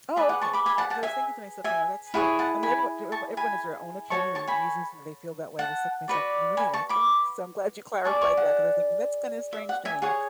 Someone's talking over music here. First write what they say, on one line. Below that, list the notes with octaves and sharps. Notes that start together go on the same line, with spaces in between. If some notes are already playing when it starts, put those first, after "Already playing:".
Oh, okay. 'Cause I was thinking to myself, you know, that's I I mean, everyone d everyone has their own opinion and reasons that they feel that way. I said to myself, "You really like that?" So I'm glad you clarified that 'cause I was thinking, "That's kinda strange to me."
G#4 B4 D5 E5
F#5
A5 C#6
B5 D6
G#5 B5
F#5 A5
F#5 A5
E5 G#5
E5 G#5
E4 G#4 C#5 F#5
F#5 A5
G#5 B5
A5 C#6
G#5 B5
F#4 A4 C#5 A5 C#6
A5 C#6
G#5 B5
F#5 A5
F#4 B4 D5
G#5 B5
A5 C#6
B5 D6
G#4 D5 A5 C#6
A5 C#6
F#5
E5
F#5
E5 G#5
G#4 C#5 F#5